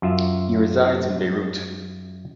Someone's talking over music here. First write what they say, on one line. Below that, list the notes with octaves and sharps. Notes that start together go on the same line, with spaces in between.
He resides in Beirut.
F#2 F4 E5